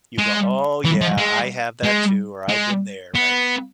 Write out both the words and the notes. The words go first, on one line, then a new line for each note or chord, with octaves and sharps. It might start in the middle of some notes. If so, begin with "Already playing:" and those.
You go, "Oh yeah, I have that too," or, "I've been there," right?
G#3
E3
F3
G#3
G#3
G#3
B3